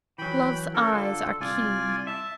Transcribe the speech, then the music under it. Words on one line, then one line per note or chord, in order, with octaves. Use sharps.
Love's eyes are keen.
E3 F#3 G5 B5
C#4 A4 A#4
D3 F4 A4
C2 F4 D5 G#5
E5 A5